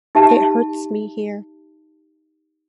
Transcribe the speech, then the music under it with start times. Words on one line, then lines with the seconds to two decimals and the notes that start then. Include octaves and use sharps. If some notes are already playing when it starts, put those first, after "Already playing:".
It hurts me here.
0.15 D#4 G4 E5 A5